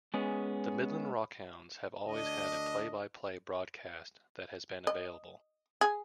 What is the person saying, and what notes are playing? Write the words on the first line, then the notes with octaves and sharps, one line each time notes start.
The Midland Rockhounds have always had a play-by-play broadcast that has been available.
G#3 B3 C#4 G#4
D2 D4 D#5
D#5
G#4